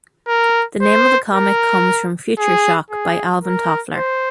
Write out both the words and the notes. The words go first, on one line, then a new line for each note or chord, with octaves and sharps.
The name of the comic comes from "Future Shock" by Alvin Toffler.
A#4
C5
A#4
G#4
G#4
A#4
C5